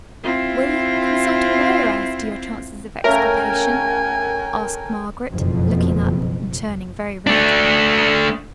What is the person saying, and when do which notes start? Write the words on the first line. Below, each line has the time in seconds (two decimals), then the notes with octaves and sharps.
'Will you consult a lawyer as to your chances of exculpation?' asked Margaret, looking up, and turning very red.
0.24 C4 E4 F4
3.04 C#3 A3 A#4 C#5 E5 G5 G#5 A#5
5.30 F#1 F2 B2
7.27 A3 D4